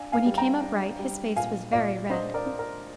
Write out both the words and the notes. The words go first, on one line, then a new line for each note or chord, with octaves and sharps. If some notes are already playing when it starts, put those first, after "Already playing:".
When he came upright his face was very red.
Already playing: D4 F5 G#5
F5 G#5
G3
G5 A#5
D4
G3
A#2 F5 G#5
A#2 D5 F5
D4 C5 D#5
A#4 D5
D4
A#4